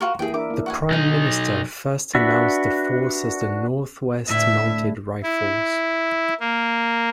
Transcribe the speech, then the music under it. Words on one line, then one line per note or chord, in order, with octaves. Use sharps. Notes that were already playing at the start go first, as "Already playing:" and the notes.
The Prime Minister first announced the force as the "North West Mounted Rifles".
F4 F#4 A#4
E3 A#3 E4 G#4 G5
D4 A#4 E5 D6
A#3 E4
F#4 F#5 G#5
B1 D#4
D4 F#4 B4 E5
D2 A2 E4 E5
E4
A#3